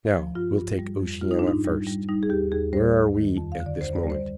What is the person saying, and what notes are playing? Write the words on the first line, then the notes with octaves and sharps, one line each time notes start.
Now we'll take Oceanica first; where are we at this moment?
F3
G2 F4
G2
G3
F2
G3 F4
D#4
D4
G#2 D#4
G3
G3
G3 D#4
G#4
D#2 G4
D#2 G#4
G3 C5
D#2
D#3
F2
F5
D3
D5
D2 C5
D5
G3
C5